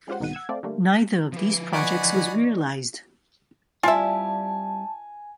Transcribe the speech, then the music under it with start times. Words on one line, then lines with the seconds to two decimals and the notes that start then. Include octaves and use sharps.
Neither of these projects was realized.
0.08 G#3 C#4 F4 G4 C5 F#5
0.20 C2 G#2 B2 D#3 F#5 D#7
0.33 F#5 E6 G#6
0.49 A3 C4 A4 D5 F5
0.63 D3 G3 A3 A#3
0.86 B6
1.32 F3 B4
1.73 E3 D#4 D5 F#5 G#5 B5 C#6
3.83 G3 C4 E4 F4 E5 G#5 A5